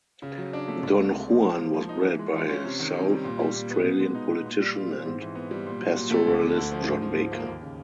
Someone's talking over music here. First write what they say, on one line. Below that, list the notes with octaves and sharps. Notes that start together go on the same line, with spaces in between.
Don Juan was bred by South Australian politician and pastoralist John Baker.
C#3
F#3
D4
A3
C2
C3
G#3
F3
F3
A#3
F3
D#4
E3
G#3
F4
C#4
C3
D#3
C3
G3
A#2
G3
A#2
B3
B2
G#3
D#4
B3
A#2
G3
F4
C4
G#2
E3
B3
G3
A#2
F#3
A#2
A3
D2
D3
D2
F3
G#2
F3
G#2
A#3
D#2
C#3